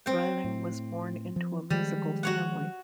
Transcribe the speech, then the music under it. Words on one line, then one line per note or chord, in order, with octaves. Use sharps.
Rilling was born into a musical family.
C4 G5
A2
F3
D#3 F3 G3 G#3
F#4 C#5 F#5